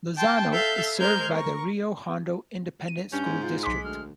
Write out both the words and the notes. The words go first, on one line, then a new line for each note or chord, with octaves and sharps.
Lozano is served by the Rio Hondo Independent School District.
G5 A5 C6
A4 E5 F5 G6
G#3 A#4 C5 F6 G6 G#6
A#4 C#6
D#7
G2 C#4 G6
G#2
F4
B1 G#3 C6 D6 B6
D2 F6